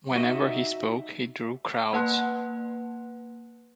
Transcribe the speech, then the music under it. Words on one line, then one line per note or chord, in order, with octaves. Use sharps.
Whenever he spoke, he drew crowds.
D#4 F#4 D#5 E5
A#3 B4 F#5 A5 C6 F#6